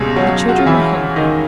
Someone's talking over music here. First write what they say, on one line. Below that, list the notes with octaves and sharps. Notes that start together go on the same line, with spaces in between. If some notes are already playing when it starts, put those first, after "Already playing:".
The children were hungry.
Already playing: C#2 B2 G3 G#3 C#4 G#4
F#3 F#4
F#4
F4
E3 E4
D#3 D#4